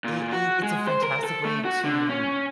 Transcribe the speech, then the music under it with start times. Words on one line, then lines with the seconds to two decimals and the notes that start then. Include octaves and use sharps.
It it it's a fantastic way to
0.04 A#2
0.32 F#4
0.63 G#3
0.88 C5
1.03 A#4
1.24 A4
1.45 A3
1.65 F#4
1.85 D3
2.10 C#4